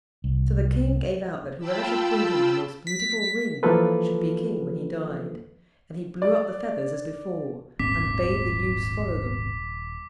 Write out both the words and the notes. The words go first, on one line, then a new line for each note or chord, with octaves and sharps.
So the King gave out that whoever should bring him the most beautiful ring should be King when he died, and he blew up the feathers as before, and bade the youths follow them.
C2
F4 G5 A5 B5 E6
B6
E3 F3 A#3 F4 A4 B4
D5
D#1 G#1 G2 C4 D6 B6